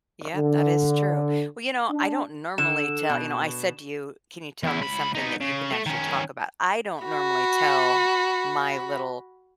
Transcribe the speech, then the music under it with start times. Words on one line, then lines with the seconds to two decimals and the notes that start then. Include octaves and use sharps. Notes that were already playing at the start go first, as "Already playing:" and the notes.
Yep, that is true. Well, you know, I don't normally tell you know, I said to you, "Can you tell me something that you can actually talk about?" I don't normally tell my little
0.35 D3
1.90 D4
2.58 D3 E7
3.10 B2
4.63 E2 E4
4.81 C#2 B5
5.15 B3 D#4
5.41 C#3
5.71 A3
5.86 D#3 C#4
7.04 F#4 B5